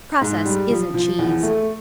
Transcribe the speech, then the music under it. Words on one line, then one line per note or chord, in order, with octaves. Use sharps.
Process isn't cheese!
G#2
G3
F3
F3
E2
A3